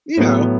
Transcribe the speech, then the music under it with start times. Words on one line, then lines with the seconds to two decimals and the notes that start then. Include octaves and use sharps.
you know,
0.17 A2 F#3 B3